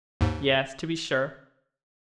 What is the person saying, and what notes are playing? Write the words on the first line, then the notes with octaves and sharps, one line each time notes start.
"Yes, to be sure."
D#2 G#2